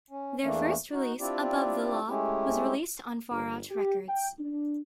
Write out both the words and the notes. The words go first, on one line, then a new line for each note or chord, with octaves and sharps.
Their first release "Above The Law" was released on Far Out Records.
C#4
E2 E3 A3 A#3 D4
D#4 F#4
C4 D4 E4 F4 G4 D5
G#3 A3 C#4 E4 G4
G1
G4
G5
D4